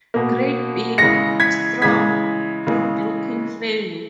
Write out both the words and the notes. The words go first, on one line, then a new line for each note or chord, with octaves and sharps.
Great big, strong, good-looking fellow.
B2 A#3
C#3 E3 G#3 A#6 C#7
G#6 B6
C#3 E3 G#3 G#6 B6
C#3 E3 G#3